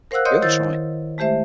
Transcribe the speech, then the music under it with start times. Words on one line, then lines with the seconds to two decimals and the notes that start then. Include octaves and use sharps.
You have a try.
0.11 A#4 C5 F5 F#5 E6 F#6
0.25 C5 C#5 D#5 C6 D#6 G6
0.42 D#3 E4 C5 E6 A6
1.18 G#3 A3 G4 C5 E5